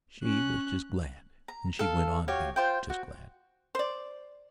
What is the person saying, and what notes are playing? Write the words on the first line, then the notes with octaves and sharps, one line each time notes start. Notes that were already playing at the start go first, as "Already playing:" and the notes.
She was just glad and she went on being just glad.
C#4 F#6
A#5
A4 F5
F#4 G4 C#5 F5
F4 C5 G5
F#4
C5 D5